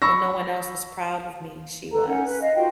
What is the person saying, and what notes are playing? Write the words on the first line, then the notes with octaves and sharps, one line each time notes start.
When no one else was proud of me, she was.
B5 C#6 E6 A#6
A4 B4 A#5
C#4 D#4 A#4 F#5
B4
D#5 F5
D#4 F4 F#4 G5